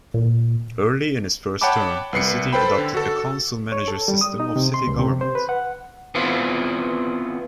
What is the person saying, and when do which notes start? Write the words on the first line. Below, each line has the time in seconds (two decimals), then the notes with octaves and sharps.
Early in his first term, the city adopted a council-manager system of city government.
0.14 A#2
1.61 C#5 F#5 G5 A5 B5 D6
2.13 C2 B4 C7 C#7
2.53 A4 B4 C5 G5 B5
2.78 D3
2.94 F#4 A4
3.72 C#5
3.88 A4
4.08 G3
4.21 D#6
4.40 D#4
4.56 C3
4.74 C6
4.87 C#2
5.00 C3
5.21 C5
5.35 B4
5.49 F#5
6.15 B3 C4 E4 F4